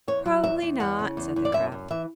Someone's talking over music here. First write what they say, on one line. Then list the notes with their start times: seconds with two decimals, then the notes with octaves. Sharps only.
"Probably not," said the crab.
0.08 E2 C#5
0.25 F#3
0.44 E2 E5
0.62 E2
0.80 E2 F#5
0.99 C#3
1.17 E2
1.36 E2
1.45 D5
1.54 F#2 E5
1.72 F#2
1.91 E3 E5